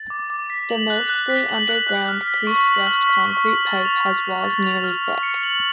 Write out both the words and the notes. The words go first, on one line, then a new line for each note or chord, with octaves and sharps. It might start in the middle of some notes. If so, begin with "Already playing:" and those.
The mostly underground, pre-stressed concrete pipe has walls nearly thick.
Already playing: A6
D6
D6
B6
F#7
F#6
F#6
B6
F#7
F#6
F#6
F6
B6
C#6
F#7
F6
B6
C#6
F#7
A6
F7
F6
F6
A6
F7
F6
F6
C#7
F#7